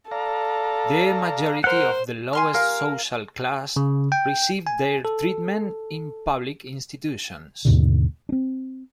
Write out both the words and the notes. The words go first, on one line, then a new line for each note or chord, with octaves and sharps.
The majority of the lowest social class received their treatment in public institutions.
A4 D5 F5 A#5
A#4 C5 F#5
G#5 C6 F6
A#4 F5
C#3
G5
G#5
A4
D#2 G#2 B2 D3
C4 D4